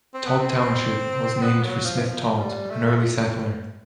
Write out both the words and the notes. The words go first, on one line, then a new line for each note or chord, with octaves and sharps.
Todd Township was named for Smith Todd, an early settler.
C4
B3
C4
B3
F#3
F3
E3
F3
G3
A3
A3